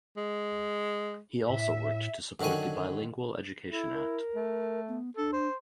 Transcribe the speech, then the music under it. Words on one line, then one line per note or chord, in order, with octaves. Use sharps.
He also worked to support the Bilingual Education Act.
G#3
A2 E5
F#2 D3 D#3 C#5 G#5
E4 A4
A#4
A3
B3
D4 A4
C5